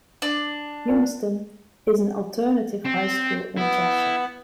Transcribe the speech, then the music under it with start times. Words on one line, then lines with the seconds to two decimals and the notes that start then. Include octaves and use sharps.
Humiston is an alternative high school in Cheshire.
0.22 D4
0.88 A#2
2.85 C4
3.58 B3 E4